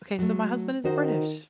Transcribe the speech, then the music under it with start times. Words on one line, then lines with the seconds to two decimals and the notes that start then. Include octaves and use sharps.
Okay, so my husband is British,
0.19 F#3 A3
0.85 D#3 D#4 F#4 C5